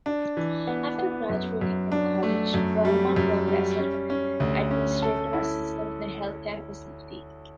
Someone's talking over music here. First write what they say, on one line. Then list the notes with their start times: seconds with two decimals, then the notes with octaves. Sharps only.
After graduating from college, Draiman worked as an administrative assistant in a healthcare facility.
0.06 D4
0.37 E3
0.67 B3
0.98 B3
1.30 F#2
1.61 F#2
1.92 D4
2.23 A3
2.54 F#2
2.85 G3
3.16 F#2
3.48 G3
3.79 C#4
4.10 C#4
4.40 D2
4.71 C#4
5.02 A4
5.33 E4